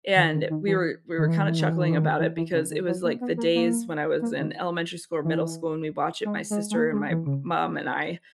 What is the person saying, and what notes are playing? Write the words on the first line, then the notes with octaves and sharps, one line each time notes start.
and we were we were kinda chuckling about it because it was like the days when I was in elementary school or middle school and we'd watch it, my sister and my mom and I,
D#3
D#3
D#3
E3
D#3
E3
D#3
E3
D#3
E3
D#3
E3
D#3
E3
E3
C#3
D#3
F#3
A#3
B3
A#3
A#3
A#3
D#3
E3
G#3
G#3
G#3
A#3
G#3
E3
C#3